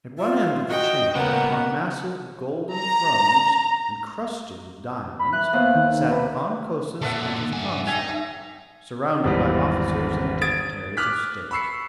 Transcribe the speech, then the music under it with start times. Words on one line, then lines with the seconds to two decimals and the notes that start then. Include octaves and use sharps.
At one end of the chamber, upon massive golden thrones encrusted with diamonds, sat Than Kosis and his consort, surrounded by officers and dignitaries of state.
0.19 F4 E5
0.69 F#4 D#5 G5
1.15 C#3 A#3 B3 C#4 A#4 B4 F#5
2.74 A#5
5.19 B5
5.33 E3 F#6
5.53 D#2 B3 C5
5.75 D#3 G6
6.10 C3 B4
7.01 A#2 D3 A4 E5 F#5
7.53 G2 G#5
7.87 D#4 E5 G5 G#5
8.08 E5
9.24 G#1 E2 G3
10.41 D#6 G#6 A6 D7
10.97 D6 D#6 F6 F#6 B6
11.51 B5 C#6 E6 C7 C#7